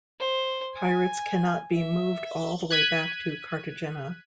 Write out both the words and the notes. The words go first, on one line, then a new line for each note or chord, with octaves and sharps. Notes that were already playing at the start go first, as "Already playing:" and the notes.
Pirates cannot be moved all the way back to Cartagena.
C5
G#5
E5
F#6 G#6 B6 D#7